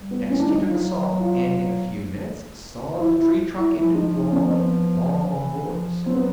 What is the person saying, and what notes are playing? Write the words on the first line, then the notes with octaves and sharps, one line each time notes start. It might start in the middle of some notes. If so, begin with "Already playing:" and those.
Next he took a saw and in a few minutes sawed the tree-trunk into broad, long boards.
Already playing: G3
B3
C#4
D4
D#4
F#3 F4
F4
F#3
E4
E4
E4
F3 E4
D#4
C#4
C4
B3
F3
E3
F3
F#3 C4
B3